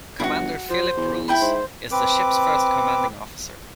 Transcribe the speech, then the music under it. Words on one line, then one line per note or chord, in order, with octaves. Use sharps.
Commander Philip Roos is the ship's first commanding officer.
G1 E4 F#4
F3 C5
E2
E4 G5 B5
G#2 C5
C4 B4 D6